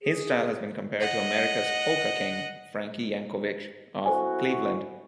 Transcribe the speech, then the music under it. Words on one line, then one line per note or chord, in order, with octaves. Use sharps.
His style has been compared to America's Polka King, Frankie Yankovic of Cleveland.
G#4
D#5 F#5
C4 E4 F#4 A4 C5 G#5